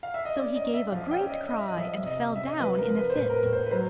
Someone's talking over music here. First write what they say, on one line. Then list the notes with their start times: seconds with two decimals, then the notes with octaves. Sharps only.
So he gave a great cry and fell down in a fit.
0.03 F5
0.14 E5
0.25 D#5
0.36 C#4 D5
0.56 D#5
0.64 C#4
0.74 E5
0.92 F3 F5
1.11 G5
1.20 C#4
1.30 D#5
1.48 C#4 D#5
1.58 E5
1.68 D#5
1.77 F3 E5
1.87 D#5
1.97 E5
2.04 C3 D#5
2.16 E5
2.26 D#5
2.32 C#4 E5
2.46 D#5
2.60 F3 B4
2.78 A#4
2.88 F3
2.96 B4
3.10 C5
3.15 A2 B4
3.30 A#4
3.34 B4
3.43 A2
3.53 C5
3.67 B4
3.71 F#3 C5